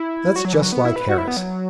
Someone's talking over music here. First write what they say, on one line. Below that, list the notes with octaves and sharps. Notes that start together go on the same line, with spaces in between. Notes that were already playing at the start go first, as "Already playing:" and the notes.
That's just like Harris.
Already playing: E4
F#4
F#3
E3
F#3
B3
E4
B4
F#4
E4
B3
F#3